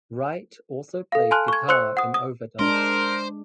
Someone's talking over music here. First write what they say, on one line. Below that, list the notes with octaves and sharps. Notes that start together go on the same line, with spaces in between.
Wright also played guitar in overdubs.
A4 F5
G#5 A5 C6 F6 F#6
C#6 G#6
C5 C6 E6 F#6 C#7
F#5 D#6
D#6
G#3 D4 A#4 C5